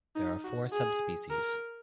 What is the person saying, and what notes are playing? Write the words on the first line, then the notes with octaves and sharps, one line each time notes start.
There are four subspecies.
D#4
F#4
G#4
A#4